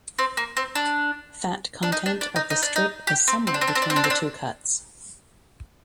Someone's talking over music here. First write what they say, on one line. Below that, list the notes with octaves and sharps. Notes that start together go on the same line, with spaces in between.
Fat content of the strip is somewhere between the two cuts.
C4
A#3
C4
D4
D4
D#4
D4
D4
D#4
D#4
D4
D#4
G4
C4
C4
D4
C4
D4
C4
D4
C4
D4
C4
D4